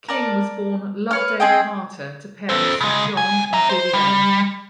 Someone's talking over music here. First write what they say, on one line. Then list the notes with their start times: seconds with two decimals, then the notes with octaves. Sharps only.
King was born Loveday Carter to parents John and Vivienne.
0.08 A#4 D5 A5
1.11 B4 C#5 F6
1.40 C4 G#4 D#5 G5
2.49 A4 C5
2.81 C#3 G#3
3.17 C#2 G#5
3.53 E5 A#5
3.69 C5
3.93 G3